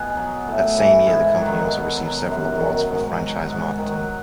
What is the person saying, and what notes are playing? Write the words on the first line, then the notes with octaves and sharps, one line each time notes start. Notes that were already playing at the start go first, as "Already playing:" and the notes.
That same year, the company also received several awards for franchise marketing.
Already playing: B2 G#4
F#3
A2
E3
G#2 E4
D#3 F#3
B2
F#3
F#2
D#3 F#3
G#2
F#3
G#2 F#4
D#3 F#3